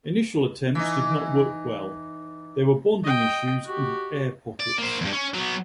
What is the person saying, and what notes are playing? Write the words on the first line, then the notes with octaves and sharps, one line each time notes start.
Initial attempts did not work well: there were bonding issues and air pockets.
E3 D#4
D#5 G5
F#4 G4
D5
A#3 C5
E2 G2
C#4
F#3 B3